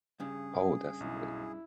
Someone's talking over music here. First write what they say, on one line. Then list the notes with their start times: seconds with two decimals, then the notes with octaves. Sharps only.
Oh, definitely.
0.20 G2 C#3 G#4
1.01 B1 E4